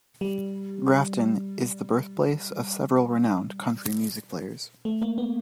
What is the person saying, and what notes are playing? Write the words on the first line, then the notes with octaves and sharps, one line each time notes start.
Grafton is the birthplace of several renowned country music players.
G3
A3
A#3
B3